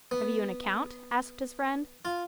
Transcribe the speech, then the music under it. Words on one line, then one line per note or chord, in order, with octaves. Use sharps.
"Have you an account?" asked his friend.
B3
F4